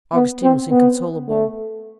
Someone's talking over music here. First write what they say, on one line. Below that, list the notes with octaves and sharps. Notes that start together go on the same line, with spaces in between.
Augustine was inconsolable.
B3
C4
B3
A3